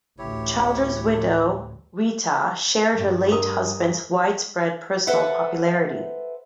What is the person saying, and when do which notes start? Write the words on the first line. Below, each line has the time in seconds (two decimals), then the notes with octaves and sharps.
Childers's widow, Rita, shared her late husband's widespread personal popularity.
0.19 A1 D2 E4 G4 C#5
2.94 G2
3.31 A#4 D#6
5.07 A4 B4 C5 E5 F#5